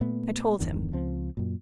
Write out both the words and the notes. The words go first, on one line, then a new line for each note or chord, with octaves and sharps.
I told him.
A#2 A3 B3
G1 E2 D3 D#3
C#2 F3 C4
F#2 A#2